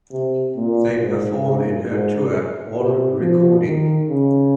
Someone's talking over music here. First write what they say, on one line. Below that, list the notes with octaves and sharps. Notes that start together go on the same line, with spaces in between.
They perform in her tour or recording.
C3
A#2
G#2
G#2
G#2
C3
F3
D#3
C#3